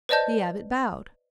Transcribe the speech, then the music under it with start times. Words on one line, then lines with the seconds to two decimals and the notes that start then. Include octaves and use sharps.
The Abbot bowed.
0.09 B4 C5 D5 D#5 A5 G6